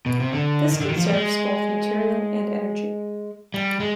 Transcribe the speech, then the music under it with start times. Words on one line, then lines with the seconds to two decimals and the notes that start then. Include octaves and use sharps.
This conserves both material and energy.
0.06 B2
0.20 C3
0.32 D3
0.72 D#3
0.81 D3
0.89 D#3
0.97 F3
1.05 G3
1.13 G#3
3.54 G3
3.80 G#3